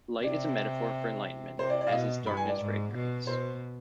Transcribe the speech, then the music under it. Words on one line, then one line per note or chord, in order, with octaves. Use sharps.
Light is a metaphor for enlightenment as is darkness for ignorance.
C3 D5
C3 C5
D5
D5
F5
B2 D#5
G2 B5
G#5
D5
G#2
B2
B2 C5